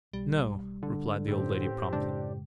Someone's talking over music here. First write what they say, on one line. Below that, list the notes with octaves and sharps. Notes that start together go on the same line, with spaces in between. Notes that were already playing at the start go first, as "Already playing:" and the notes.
"No," replied the old lady, promptly.
B1 G3
D3
A1 A2 C4 G4
F#2 C#3 G#3 D4